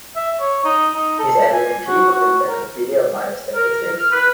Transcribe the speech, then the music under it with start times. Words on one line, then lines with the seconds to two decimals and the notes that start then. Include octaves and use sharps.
He is editor-in-chief of the "Encyclopedia of Biostatistics".
0.16 E5
0.40 C#5
0.64 D#4
0.94 D#4
1.19 A4
1.53 G#5
1.87 F#4
2.11 F#4
2.49 A#4
3.55 A#4
3.97 F6
4.12 B4